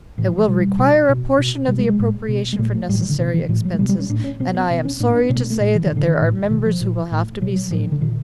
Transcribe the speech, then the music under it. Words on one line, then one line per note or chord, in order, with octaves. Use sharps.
It will require a portion of the appropriation for necessary expenses, and I am sorry to say that there are members who will have to be seen.
A2 E3
F3
F3
B2 G3
B2
B2
B2
B2 G3
G#3
G#3
A2
B2
G#3
A#2 A3
A3
A2 G3
F3
E3
D3
B2 D#3
E3
A2 F3
F#3
G#3
B2 G3
G3
C#4
A2 D4
C#4
B2 C4
B3
B2 C4
C#4
A2 D4
D4
B2 C#4
A3
A#3
A3
A#2
E3
A2 D#3
D3
D#3
A2
B2 D#3
F3
A#2
A2
B2 F#3
F#3
A2 F3
D3
A#2 D#3